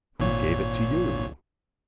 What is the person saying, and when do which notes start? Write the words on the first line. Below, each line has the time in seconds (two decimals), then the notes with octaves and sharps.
Who gave it to you?
0.20 G#1 A#2 C#5